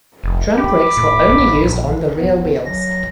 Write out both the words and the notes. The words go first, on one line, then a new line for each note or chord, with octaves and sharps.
Drum brakes were only used on the rear wheels.
F1
G4 B5 D6
A2
A1
A#1
B3
F#3 A#6